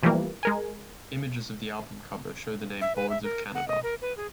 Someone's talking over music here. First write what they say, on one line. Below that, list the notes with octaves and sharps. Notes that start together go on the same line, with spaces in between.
Images of the album cover show the name "Boards of Canada".
B2 E3 F3 G3 A3 A#3
G#3 A#4 G#5
E5
B4
E5
A#4
F#5
D#5
A#4
B4
G#4